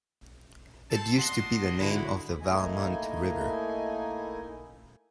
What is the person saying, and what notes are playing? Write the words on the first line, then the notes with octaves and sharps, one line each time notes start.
It used to be the name of the Valmont River.
C4 A4 A5
D4 D#5 F#5 C6
D3 E4 F#4
A3 A#3 D#4 E4 D#5 G#5